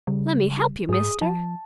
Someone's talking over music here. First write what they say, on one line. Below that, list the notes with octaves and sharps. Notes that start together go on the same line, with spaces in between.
Lemme hep you, Mister.
C#3 G3
G#2 G#4 D#6
F3 A5